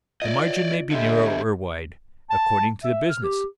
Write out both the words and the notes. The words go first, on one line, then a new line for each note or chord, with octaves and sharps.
The margin may be narrow or wide, according to the business.
F4 D5 D#5
D3 G4 D#5 E5 C6
A5
E5
F6
G4